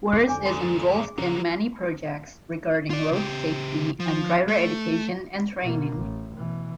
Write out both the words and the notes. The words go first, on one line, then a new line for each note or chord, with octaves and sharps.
Wurz is involved in many projects regarding road safety and driver education and training.
A#1 D#2 G#2 D6
F2 D3 D4 G#5 D6
E2 G#2 C6
G#4
C#3 F3 F#3 A#3 C#4
F4 D5
C#3 G4
F3
A3
B2 A#3
A1
B2 E3